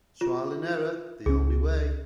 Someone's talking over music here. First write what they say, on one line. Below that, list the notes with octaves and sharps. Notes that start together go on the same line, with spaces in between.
Trial and error. The only way.
F4
C#2 C#4 G#4